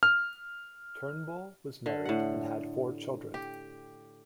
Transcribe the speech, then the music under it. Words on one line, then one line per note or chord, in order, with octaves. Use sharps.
Turnbull was married and had four children.
F6
D3
A2 F#5
G4